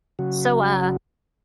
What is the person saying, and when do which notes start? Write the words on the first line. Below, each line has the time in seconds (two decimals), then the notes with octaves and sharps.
so, uh,
0.19 C#3 F#3 F#4